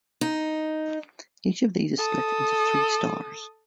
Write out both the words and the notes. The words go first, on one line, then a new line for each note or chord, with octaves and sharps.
Each of these is split into three "Stars".
D#4
A4 D#6